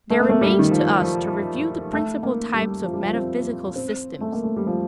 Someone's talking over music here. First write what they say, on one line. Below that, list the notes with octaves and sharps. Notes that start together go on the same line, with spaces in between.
There remains to us to review the principal types of metaphysical systems.
A3
A#3
A3
G3
D#3
F3
F3
A3
A#3
G3
F3
G3
F3
C4
C4
A3
A#3
A3
G3
F3